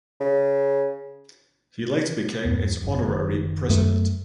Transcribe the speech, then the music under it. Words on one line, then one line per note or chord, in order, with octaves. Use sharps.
He later became its honorary president.
C#3
E2 G2
G#1 F#2
F#1 D#3
F#2 A3